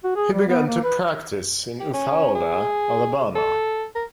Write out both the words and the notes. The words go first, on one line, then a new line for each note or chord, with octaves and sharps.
He began to practise in Eufaula, Alabama.
F#4
G#4
G3
B3
A#3
B4
G4
C#4
G#4
A4
A#4